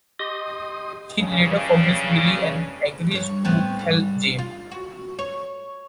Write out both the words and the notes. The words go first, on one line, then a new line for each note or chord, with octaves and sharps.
She later forgives Billy and agrees to help Jay.
G4 D#5 C6 D#6
G2 C#3
G2 C#5
A2 B3 C4
G#2 G3
F4
F#4
C#5